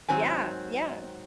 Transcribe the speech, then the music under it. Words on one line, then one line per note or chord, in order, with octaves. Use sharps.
Yeah, yeah,
G#2 D#3 F#3 C4 G#5